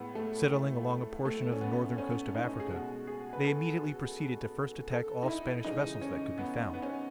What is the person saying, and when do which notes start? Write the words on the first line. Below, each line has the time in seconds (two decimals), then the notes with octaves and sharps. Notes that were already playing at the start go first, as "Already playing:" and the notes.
Settling along a portion of the northern coast of Africa, they immediately proceeded to first attack all Spanish vessels that could be found.
Already playing: A2 G#3 B3
0.15 A3
1.25 A3
1.52 C#4
1.61 B3
1.98 C#4
2.35 D#4
2.60 G#4
2.71 B2 G#3 F#4
3.07 G#4
3.33 B4
3.45 A4
4.91 A4
5.23 D#4
5.28 E4
5.64 C#3 E3 G#3 D#4
6.01 C#4
6.38 B3
6.74 B3
6.82 C#4
6.89 B3